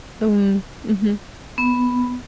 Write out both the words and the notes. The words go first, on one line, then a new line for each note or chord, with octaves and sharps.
Mm, mhm.
B3